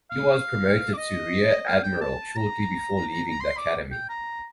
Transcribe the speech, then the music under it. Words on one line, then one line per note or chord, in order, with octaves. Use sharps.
He was promoted to rear admiral shortly before leaving the Academy.
F5
D5
D#5
F5
G5
A5
A#5
C6
D5
G5
A#5